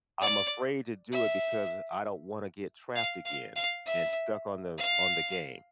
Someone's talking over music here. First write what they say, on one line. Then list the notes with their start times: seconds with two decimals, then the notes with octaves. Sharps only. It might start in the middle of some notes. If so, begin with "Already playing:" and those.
I'm afraid to do it because I don't wanna get trapped again and stuck on the on the game.
0.21 D5
1.12 E5
2.96 F5
3.25 F5
3.56 F5
3.86 E5
4.78 F5